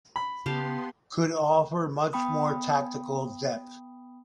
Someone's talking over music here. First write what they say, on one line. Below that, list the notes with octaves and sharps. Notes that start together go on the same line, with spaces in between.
Could offer much more tactical depth.
B5
C#3 B3 G4 F5 A5 C6
B3 G5 B5 D#6